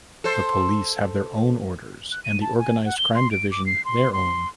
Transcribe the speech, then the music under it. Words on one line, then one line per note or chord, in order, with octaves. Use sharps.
The police have their own orders and the organized crime division their own.
A4 C5
F#6
D#7
A5
G#5
F#5
G7
C6
D7
D6
C7
C6
C6